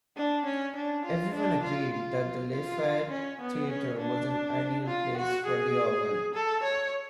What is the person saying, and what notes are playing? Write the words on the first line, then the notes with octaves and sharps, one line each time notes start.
Everyone agreed that the Lafayette Theatre was an ideal place for the organ.
D4
C#4
D4
F4
D4
F4
F4
F4
C#4
B3
C#4
D4
F4
F#4
G#4
A4
C#5